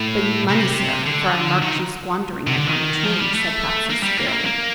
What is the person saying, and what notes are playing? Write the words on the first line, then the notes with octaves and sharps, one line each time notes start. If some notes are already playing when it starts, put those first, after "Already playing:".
"But you've money, sir, for I marked you squandering it on the train," said Patsy, severely.
Already playing: A2
C3
D3
D#3
C3
D3
D#3
F3
G3
A3
A#3
G3
A#3
C4
A#3
A#3